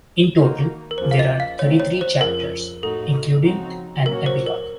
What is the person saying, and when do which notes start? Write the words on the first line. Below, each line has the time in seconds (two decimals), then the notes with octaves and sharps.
In total, there are thirty-three chapters, including an epilogue.
0.37 D#3 A#3 D#4 F#4
0.91 A#4
0.98 D#2 C#3 F3 A#3 C5
1.11 F5
1.19 D#5
1.40 F5
1.59 D#3 A3 C4 D#4 C#5
1.80 C#5
2.01 C5
2.21 F2 C#3 F3 A#4
2.83 A2 A3 D#4 F#4 A4
3.44 C#3 F3 C4 D#4 F#4
4.05 A#2 F#3 A#3 C#4 F#4 A#4
4.26 C5
4.46 A#4